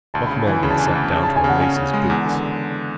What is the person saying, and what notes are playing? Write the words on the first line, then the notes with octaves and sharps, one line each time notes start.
Buck Mulligan sat down to unlace his boots.
D2 A5
B5
C#3
A5
E3 G#5
C#3 B5
A5
D2 G#5
A5
D2
C#3 A5
A5
C#3
G#5
C#3 F#5
C#4 G#5
C#3
G#3
E2
D3